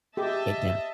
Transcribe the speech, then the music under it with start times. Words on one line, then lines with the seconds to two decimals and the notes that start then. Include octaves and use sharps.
It does.
0.17 G4 G#4 D#5 E5 A5